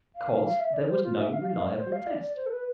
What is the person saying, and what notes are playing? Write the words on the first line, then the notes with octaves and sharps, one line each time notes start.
Because there was no reliable test.
F5
F5
E5
D5
C5
F4
E5
F5
F5
D5
C5
F5
D5
D5
C5
A4
B4